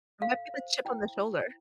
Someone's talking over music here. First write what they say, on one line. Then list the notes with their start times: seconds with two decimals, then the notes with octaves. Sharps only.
It might be the chip on the shoulder.
0.21 A4 F5
0.54 C5
0.85 E4 G5
1.16 E4